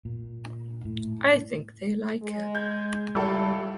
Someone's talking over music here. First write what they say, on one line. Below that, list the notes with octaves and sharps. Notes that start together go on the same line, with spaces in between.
I think they like it.
A#2
A2
G#3
G6 G#6
C#2 G3 E4 A4